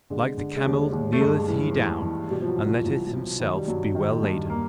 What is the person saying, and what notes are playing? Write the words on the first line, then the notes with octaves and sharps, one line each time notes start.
Like the camel kneeleth he down, and letteth himself be well laden.
D3 G#3
D3
G#3
D#2 G3
D#2
A3
G2 G#3
E3
E3
E3
B2 G3
F3
F#3
C2
F3
C2 F#3
F#3
B2 F3
D#3 F#3
G3
G2 F#3
D#3
G2
A#3